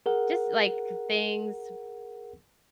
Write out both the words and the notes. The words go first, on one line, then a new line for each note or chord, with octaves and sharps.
just, like, k things,
G#4 A#4 F#5